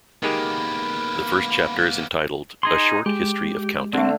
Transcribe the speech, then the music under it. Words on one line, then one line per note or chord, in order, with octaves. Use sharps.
The first chapter is entitled "A Short History of Counting".
D#3 G#3 A#3 B3 G4 B5
D#4 G#4 C6
G#3 G4
D3 A3 C4